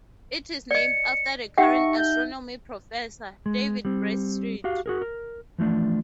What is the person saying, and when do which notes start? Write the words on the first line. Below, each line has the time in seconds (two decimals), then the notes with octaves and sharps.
It is named after the current astronomy professor, David Bradstreet.
0.71 D5 D#5 C#7
1.58 D#4 G4 E5 F#5 G5 C#6
1.98 G6
3.46 G#3
3.85 G3 C4
4.64 F#4 G4 F5
4.86 F#4 G#4 A#4
5.02 A#4
5.58 E3 F3 A3 D4